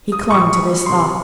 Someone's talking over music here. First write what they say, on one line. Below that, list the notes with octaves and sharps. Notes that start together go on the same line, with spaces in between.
He clung to this thought.
D#6
A2 F3 C#6
C3 D#3 F#3 C6